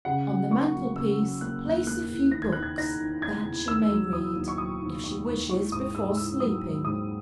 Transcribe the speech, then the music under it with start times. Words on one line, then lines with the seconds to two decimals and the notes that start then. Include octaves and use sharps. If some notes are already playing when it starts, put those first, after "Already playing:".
On the mantel piece, place a few books that she may read, if she wishes, before sleeping.
0.05 C#3 F#5
0.28 F#3
0.51 A#3 C#6
0.74 F#3
0.96 C#3 E6
1.18 F#3
1.41 A#3 F#6
1.64 D#2
1.87 A#3 F#6
2.09 E2
2.31 D#3 A#6
2.42 G#6
2.53 D#4 F#6
2.63 G#6
2.78 D#4 A#6
3.01 D#3
3.22 D#4 G#6
3.45 E2
3.68 D#2 E6
3.91 F#3
4.13 F#3 D#6
4.35 D#2
4.48 C#6
4.58 F#3 D#6
4.82 D#2
5.04 D#2 C#6
5.27 D#2
5.49 E4 C#6
5.72 G#2 D#6
5.95 G#2 E6
6.17 E4 E6
6.40 F#3 D#6
6.62 F#3
6.85 G#2 D#6